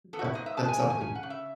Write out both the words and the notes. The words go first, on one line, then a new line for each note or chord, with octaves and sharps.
That's that's something.
B3 A4
F#4
E4
G#2 D#5
E5
G#3 A5
G#5
D#3 A5
G#5
C#3 G#5
F#5
C#3
E5